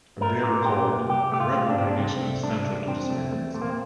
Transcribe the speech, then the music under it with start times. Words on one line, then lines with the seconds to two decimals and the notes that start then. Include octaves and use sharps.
A behavior called "rub-urination" is central to this mechanism.
0.21 A3 A#4
0.43 A#2
0.65 A#2 G4
0.88 C2
1.10 C2 G4
1.32 A3 G4
1.40 F4
1.54 A#2
1.70 D4
1.77 C2 C4
1.87 D4
1.99 C2 C4
2.21 A3
2.43 C2 D4
2.66 C2
2.88 C2 C4
3.10 A3
3.32 A3
3.55 A#2 A3
3.62 A#3
3.70 C4